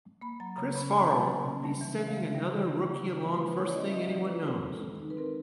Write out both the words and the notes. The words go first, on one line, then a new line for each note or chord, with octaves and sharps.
Chris Farrel'll be sending another rookie along first thing anyone knows.
A#3 B5
F#3 A#5
C#3 A#5
C#4 B5
A#3 A#5
F#3
C#3
C#4
G3 A5
E3
C#3 E5
F5
A#3 E5
G3
E3
C#3
A#3
C#4
G#3
E3 B4
C5
E4 C#5
D5
C#4 D#5
E5
G#3 D#5
E3 D5
B4
E4 C5
A4
C4 A#4
G#3
D#3
D#4
B4
C4 A#4